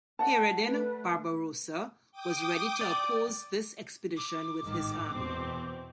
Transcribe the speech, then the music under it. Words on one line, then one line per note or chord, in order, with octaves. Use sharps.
Hayreddin Barbarossa was ready to oppose this expedition with his army.
D5 F#5 A5
A3 B4
G5 D6 D#6
D5
D6
A1 G#2 D#3
E2 B2 C4